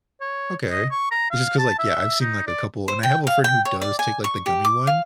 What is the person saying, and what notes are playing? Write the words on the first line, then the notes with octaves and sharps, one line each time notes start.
Okay, it's just 'cause, like, yeah, I've seen, like, a couple, and I have a friend who does take, like, the gummy one,
C#5
D#5
C#6
A#5
F5
A5
E5
D#4
D5
C5
G5
F5
G5
C#5
D5
G#5
C#6
G4
D6
F5